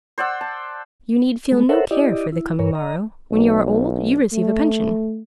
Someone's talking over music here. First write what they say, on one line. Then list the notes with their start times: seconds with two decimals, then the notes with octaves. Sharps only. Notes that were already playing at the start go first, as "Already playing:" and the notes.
"You need feel no care for the coming morrow: when you are old, you receive a pension."
0.18 C5 D5 F#5 E6
0.41 A5
1.52 G#3 A3 B3
1.69 A4 A#4 C5 C#5 E5 F#5
1.91 E4 G4 D5 D#5
2.32 E4
2.59 G2 A#4 C#5
2.75 D#5 A#5
3.31 B1
4.32 A3